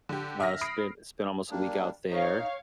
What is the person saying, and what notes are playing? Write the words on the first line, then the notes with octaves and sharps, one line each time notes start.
uh, spent spent almost a week out there.
D3 G4
E5 F6 A#6
B5 D#6 F6 A#6 C7 D7
G3 A#3 D4
D#4 C#5 F5